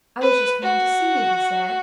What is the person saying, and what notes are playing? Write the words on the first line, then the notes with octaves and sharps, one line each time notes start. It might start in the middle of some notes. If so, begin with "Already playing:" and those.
"I was just coming to see you," he said.
B4
F#4